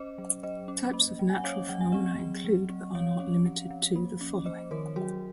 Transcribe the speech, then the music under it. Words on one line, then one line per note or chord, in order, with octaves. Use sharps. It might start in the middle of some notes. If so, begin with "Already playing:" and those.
Types of natural phenomena include, but are not limited to, the following.
Already playing: C#4 C5 D#5
F#3
F#3 C5 D#5
C#4
A#3
F#3
G#5
F#5
C#4 C#5 F5
F#3 F#5
G#5
C4 D#5 F#5
F#3
F#3
C4
F3 C#5 F5
C#4
F3
F3
A#3
C#4
C#4 C5 D#5
D#3 A#4 C#5
F#3 F#4 A#4